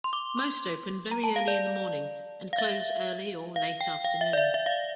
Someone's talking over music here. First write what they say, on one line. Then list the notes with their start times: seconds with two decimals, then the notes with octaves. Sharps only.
Most open very early in the morning and close early or late afternoon.
0.04 C6
0.13 D6
0.38 C6
1.11 A#5
1.24 A5
1.36 F5
1.48 D5
2.53 F5
2.58 E5
3.56 F5
3.81 G5
4.05 F5
4.21 E5
4.33 D5
4.38 E5
4.54 E5
4.66 F5